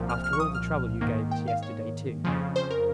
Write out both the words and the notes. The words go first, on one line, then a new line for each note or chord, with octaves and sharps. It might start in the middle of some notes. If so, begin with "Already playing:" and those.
After all the trouble you gave us yesterday too!
Already playing: C2 A#2 F3
F6
F6
C#6
D#6
F6
G#2 D#3 A#3
G5
F5
C#5
F2 C#3 F3
C5
A#4